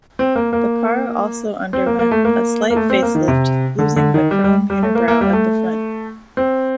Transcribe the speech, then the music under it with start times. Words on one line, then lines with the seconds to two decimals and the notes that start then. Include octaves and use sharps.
The car also underwent a slight facelift, losing the chrome unibrow at the front.
0.19 C4
0.35 A#3
0.53 A#3
1.73 C4
1.86 A#3
1.99 A#3
2.11 A3
2.25 A#3
2.70 A#3
2.76 A3
2.90 C4
3.02 A#3
3.15 D#3
3.28 C3
3.79 D3
3.96 D3
4.14 D#3
4.31 G3
4.44 G3
4.70 G3
4.83 A3
4.95 A#3
5.08 A#3
5.21 G3
5.33 A3
6.37 C4